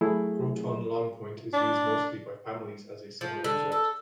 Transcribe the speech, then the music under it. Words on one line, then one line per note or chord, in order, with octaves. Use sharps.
Groton Long Point is used mostly by families as a summer resort.
F#3 A3 E4 G#4
D4
F3
D3
A4